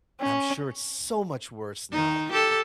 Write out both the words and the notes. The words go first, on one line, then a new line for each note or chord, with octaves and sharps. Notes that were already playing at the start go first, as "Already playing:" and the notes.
I'm sure it's so much worse now.
C#4
D#3 D#4
G4 A4